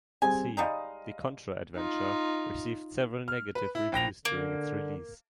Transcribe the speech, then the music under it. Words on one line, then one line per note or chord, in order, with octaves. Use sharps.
"C: The Contra Adventure" received several negative reviews during its release.
G3 C4 G#4 G#5
G3 G#3 D#4 D#5 F5
D#4 F4
F6
B4
E4
A#1 G5 A#6 F7
D3 A#3